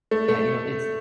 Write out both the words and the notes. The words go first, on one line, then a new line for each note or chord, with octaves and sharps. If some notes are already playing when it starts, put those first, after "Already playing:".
yeah, you know, it's
A3
A3